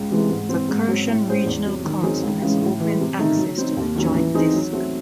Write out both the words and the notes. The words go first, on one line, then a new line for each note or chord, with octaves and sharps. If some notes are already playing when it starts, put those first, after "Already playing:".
The Kherson Regional Council has opened access to the joint disk.
Already playing: C#2
C3 E3 G#3
G#2
E3 C4
G#2
F#3 C4 F#4
A2
G#3 C#4 G#4 C5
E2
C3 F#3
D#3
F#3 C4 D#4 G#4
C#2
C#3 E3 G#3
A2
E3 G#3
C3
D#3 A3 D#4
F#3
C4 D#4
D#2
D#3 F#3 C#4
E3
C4 D#4 G#4
F#3
A3 C4 F#4